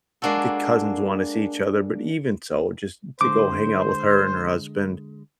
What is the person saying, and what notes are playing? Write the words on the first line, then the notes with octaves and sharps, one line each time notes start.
the cousins wanna see each other, but even so, just to go hang out with her and her husband
G#3 A#3 D4 F#4 A4
D3 G#3 C5 D6